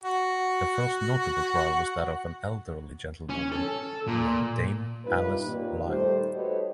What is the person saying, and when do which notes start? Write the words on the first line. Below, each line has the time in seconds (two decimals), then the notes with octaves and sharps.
The first notable trial was that of an elderly gentlewoman named Dame Alice Lyle.
0.03 F#4 F#5
3.30 C#4
3.52 A4
4.08 A#2
5.06 G2 C3 D#4 F4 B4
5.44 D#2 A#2
5.88 G3 A3 D#4 G4 C5
6.34 F#4 G4 A4 B4 C#5 D#5